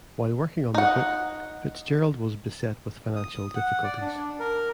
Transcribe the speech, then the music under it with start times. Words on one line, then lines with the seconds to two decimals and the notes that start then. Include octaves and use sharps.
While working on the book, Fitzgerald was beset with financial difficulties.
0.74 D#4 F#5
3.16 D#6
3.55 F#5
3.83 D5
4.01 D4
4.40 A#4